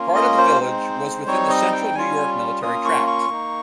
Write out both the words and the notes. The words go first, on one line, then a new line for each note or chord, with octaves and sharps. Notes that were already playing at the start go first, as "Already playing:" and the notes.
Part of the village was within the Central New York Military Tract.
Already playing: A#3 C#4 F4
D#5
C5
G#3 C4 D#4
G3 C4 D#4 C#5
D#5
G5
G3 C#4 F4 G#5
A#3 C#4 F4 D#6
C#6
C#6
A#3 D#4